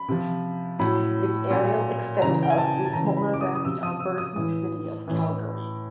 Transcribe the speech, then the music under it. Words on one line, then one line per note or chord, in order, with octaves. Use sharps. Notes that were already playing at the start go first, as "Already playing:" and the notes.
Its areal extent of is smaller than the Albertan city of Calgary.
Already playing: B5
C3 F3
A2 F#3 B5
A#2 F#3
C#3 E3 A#5
G5
G#5
A5
A5
C#3 E3 A#5
B5
D6
D#6
D#6
C3 F3 E6
D#6
E6
D#6
A2 E3 D#6
A2 E3